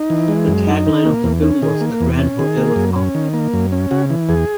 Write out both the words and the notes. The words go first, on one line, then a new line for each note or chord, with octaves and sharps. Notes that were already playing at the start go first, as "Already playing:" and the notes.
The tagline of the film was "The Grand Hotel of comedy".
Already playing: D#4
E3
G#3
F#2
D#4
D#3
A#3
E2
C#4
D#3 G#4
A#3
E2
C#4
D#3 G#4
A#3
F#2
C#4
D#3
A#3
F#2
C#4
C#3 F#4
E3
E2 G#4